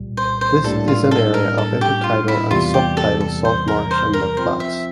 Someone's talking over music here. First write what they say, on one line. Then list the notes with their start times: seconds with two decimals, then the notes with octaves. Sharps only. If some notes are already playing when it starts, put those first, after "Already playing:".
This is an area of intertidal and subtidal saltmarsh and mudflats.
Already playing: C2 A#2 G3
0.17 C5
0.41 C5
0.64 A2 G3 A#3 D4 A4
0.88 F4
1.11 A4
1.34 A#4
1.58 A4
1.81 G4
2.04 F4
2.28 E4
2.50 E2 C3 E3 G3 F4
2.74 G4
2.97 A4
3.21 A4
3.45 C5
3.68 A#4
3.91 C5
4.13 A#4
4.37 F3 C4 F4 C5
4.60 E5